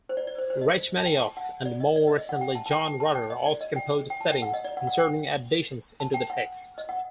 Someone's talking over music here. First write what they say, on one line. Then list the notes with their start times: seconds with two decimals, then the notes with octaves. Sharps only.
Rachmaninoff and, more recently, John Rutter also composed settings, inserting additions into the text.
0.09 C5
0.17 D5
0.27 D5
0.38 C5
0.50 C5
0.61 D#5
0.98 A5
1.06 G5
1.22 A5
1.37 F#5
1.65 D5
1.80 D#5
1.96 D5
2.07 D#5
2.18 D#5
2.29 F#5
2.41 G5
2.55 A5
2.66 A5
2.71 G5
2.86 G5
3.00 A5
3.15 G5
3.30 D#5
3.46 D5
3.61 D#5
3.76 G5
4.10 G5
4.21 A5
4.32 G5
4.42 F#5
4.54 D#5
4.65 D5
4.77 F#5
4.87 F#5
4.99 G5
6.00 A5
6.14 G5
6.30 F#5
6.78 D#5
6.89 F#5